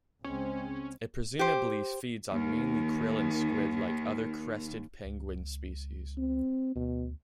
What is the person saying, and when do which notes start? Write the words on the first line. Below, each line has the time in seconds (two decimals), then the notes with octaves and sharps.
It presumably feeds on mainly krill and squid like other crested penguin species.
0.24 C#2 G#3 C4 C#4
1.39 G4 C5
2.31 D#2 D#3
5.04 C#2
6.18 C4
6.75 D2 B2